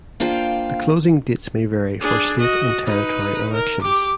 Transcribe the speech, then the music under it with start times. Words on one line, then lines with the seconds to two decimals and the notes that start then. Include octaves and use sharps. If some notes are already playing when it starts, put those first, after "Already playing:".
The closing dates may vary for state and territory elections.
0.20 A#3 D4 F4 C5 F5 G5
2.01 D4 G#4
2.39 F#4 D#5
2.86 D#4 B4
3.53 A#4
3.82 G4 D6